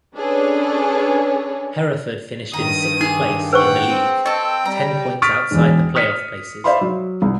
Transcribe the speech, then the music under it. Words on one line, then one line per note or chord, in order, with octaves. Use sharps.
Hereford finished in sixth place in the league, ten points outside the play-off places.
C#4 D4 G#4 A4 B4 C#5
G2 D#3 A#5 D#6
D4 D#4 G#4
B4 C5 F#5 G5 C#6
C4
A4 D#5 G5 C#6
G3 A#5
C#6 D#6 F6 A6 B6 D7
E1 E2
D#6 F6 B6 C#7 D#7
C5 D5 E5 F5 B5 C6
F#3
C2